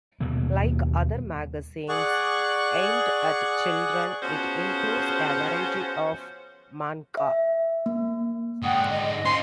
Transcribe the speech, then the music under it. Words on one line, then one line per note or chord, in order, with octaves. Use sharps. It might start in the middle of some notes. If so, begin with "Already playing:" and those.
Like other magazines aimed at children, it includes a variety of manga.
D#2 B2 G3 A#3
G#4 D5 F#5 C#6
F3 B3 C#4 F#4 G#4 C5
E5
A#3
G#2 D3 F#5 G5 D#6
D#5
A#3 C#4 C6